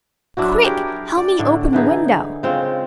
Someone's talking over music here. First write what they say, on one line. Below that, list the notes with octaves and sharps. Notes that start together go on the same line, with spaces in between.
"Quick, help me open the window."
F#3 D4 E4 F#4
G4 G#4 A#4
D5
A2 D3
D3 E3 D#4 G#4
C#3 G#3 C4 F4